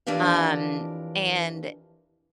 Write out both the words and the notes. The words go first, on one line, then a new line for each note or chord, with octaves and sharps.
um, and
F2 E3 D4 G4 A#4 F5